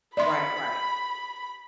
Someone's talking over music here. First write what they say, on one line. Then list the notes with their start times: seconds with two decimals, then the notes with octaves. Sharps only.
Right, right.
0.17 D5 E5 B5 C6